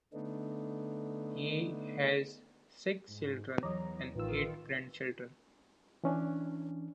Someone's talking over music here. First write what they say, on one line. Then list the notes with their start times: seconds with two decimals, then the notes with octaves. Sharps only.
He has six children and eight grandchildren.
0.13 D3 A3 B3 D4 D#4
3.07 G#2
3.63 E2 E3 F#3 A#5
4.15 A1 D#3 F4 B4 E6
6.04 E3 C#4 D4